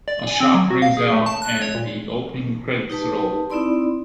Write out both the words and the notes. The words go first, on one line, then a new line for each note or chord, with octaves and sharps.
A shot rings out and the opening credits roll.
D5
G#5
C4
F#3
F#4
F5
G#4
A3
A5
F#6
C#5
A#2
D#4 G4 B4 A5
C4 D#4 E4 D5 B5 C6